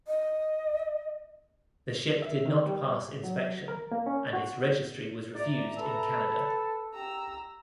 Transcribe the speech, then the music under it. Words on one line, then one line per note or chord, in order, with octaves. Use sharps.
The ship did not pass inspection and its registry was refused in Canada.
D#5
E5
D#3
G3
F#3
A#4
A#3
C#4
F#4
D5 E5 A#5
A4 B4
G4 A#5 E6